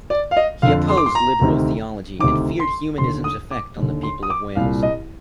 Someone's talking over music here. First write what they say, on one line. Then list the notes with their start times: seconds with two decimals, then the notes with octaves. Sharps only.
He opposed liberal theology and feared humanism's effect on the people of Wales.
0.10 D5
0.31 F5
0.37 D#5
0.62 F2 D3 F5
0.89 C6
0.97 D6
1.06 C6
1.15 A#5
1.41 D2 C3 D#3
2.19 D2 C3 D#3 D6
2.60 C6
2.98 D#2 D3 C6
3.24 D#6
3.51 D6
3.77 D#2
3.82 D3
4.03 C6
4.23 D#6
4.30 D6
4.55 C2 A#2 F5
4.83 D#5